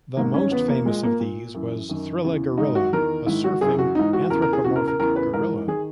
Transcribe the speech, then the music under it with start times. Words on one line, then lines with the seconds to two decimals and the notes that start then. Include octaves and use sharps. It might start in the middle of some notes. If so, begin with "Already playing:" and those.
The most famous of these was Thrilla Gorilla, a surfing anthropomorphic gorilla.
0.17 G#2 D#3 A#3
0.34 C#4
0.51 E2 C#3 E3 B3
0.68 A#3
0.85 A#2 G#3
1.03 A#3
1.20 A#2
1.54 F#2 E3
1.89 F#2 D#3
2.24 E2 C#3 E3
2.57 G#2 D#3 D#4
2.75 F#4
2.93 E2 D#3 A#4
3.26 G#2 D#3 E4
3.44 F#4
3.61 F#2 C#3 E3 G#4
3.79 F#4
3.95 G#2 E3 D#4
4.13 F#4
4.30 E2 C#3 E3 A#4
4.42 A#4
4.53 G#4
4.64 E2 C#3 E3 F#4
4.76 A#4
4.88 A#4
4.99 E2 C#3 E3 A#4
5.16 B4
5.33 G#2 E3 A#4
5.67 D#3 G#4